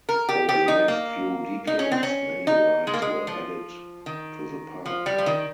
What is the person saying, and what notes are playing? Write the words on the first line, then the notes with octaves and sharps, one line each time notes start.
Over the next few decades, many rides were added to the park.
A#4
G4
G4
D#4
A#3
D#4
C#4
C4
C#4
D#4
G#3
A#3
G#3
F3
D#3
F3
G3
F3
D#3